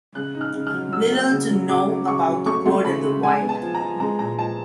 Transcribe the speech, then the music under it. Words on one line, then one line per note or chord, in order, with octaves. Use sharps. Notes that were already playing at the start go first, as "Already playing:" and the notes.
Little is known about the bird in the wild.
C#3 F#6
D#4
F6
C#3
F6
F#3
F#3 E6
A#3
C#3
F#3
C#3 D6
F#3
C#3 C#6
F#3
A3 C#6
A3 C6
C#3 B5
C#3
G#3 G#5
B3
A5
F3
A#5
F3
G#3 A#5
A#2 A#5
F3 A5